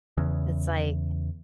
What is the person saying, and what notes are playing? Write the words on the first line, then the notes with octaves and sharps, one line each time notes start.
It's, like,
E2 C#3